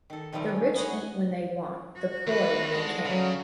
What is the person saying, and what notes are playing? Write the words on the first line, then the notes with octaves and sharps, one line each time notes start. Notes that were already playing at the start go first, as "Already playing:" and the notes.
The rich eat when they want, the poor when they can.
D#3 A4
C3 D#3 F3 G3 A3
C#4
B3 D#4 G#4 C#5 D#5 F#5
F#4
E2 A#4 B4
D3 G#3
C#3 F#3